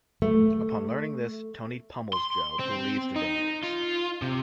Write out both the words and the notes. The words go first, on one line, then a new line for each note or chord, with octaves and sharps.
Upon learning this, Tony pummels Joe, who leaves the vineyards.
A3
C6
C4
D#4
F4
C3